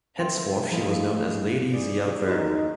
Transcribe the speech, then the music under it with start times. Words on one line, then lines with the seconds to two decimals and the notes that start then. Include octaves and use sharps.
Henceforth she was known as Lady Zia Wernher.
0.18 D3 C4 A#4 B4 E5 G5 C6
0.71 F3 G#3 A3 E4
1.73 G#4 D5
2.28 D#4 F#4 G4 B4